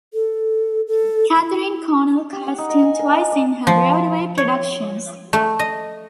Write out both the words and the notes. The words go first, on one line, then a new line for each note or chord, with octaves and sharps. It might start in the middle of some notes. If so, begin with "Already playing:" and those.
Katharine Cornell cast him twice in her Broadway productions.
A4
A4
E4
G4
F#5
D#4
D#5
G#5
A#4
A5
D5
F3
C#5
A3
D#5